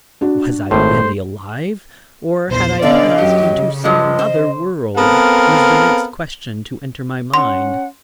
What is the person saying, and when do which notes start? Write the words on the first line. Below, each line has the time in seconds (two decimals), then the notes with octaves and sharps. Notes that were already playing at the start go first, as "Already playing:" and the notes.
Was I really alive or had I passed into some other world, was the next question to enter my mind.
0.21 D4 F#4
0.71 G#1 A2 A3 C5
2.49 A#1 E2 C5
2.82 D3 B3 C#4 D5 D#5 F5
3.18 F#2 F#3 G4
3.53 C#3
3.84 G2 F3 G#3 D#5
4.19 C5
4.97 B3 C4 A4 A#4 F5
7.34 C#4 F#5 C6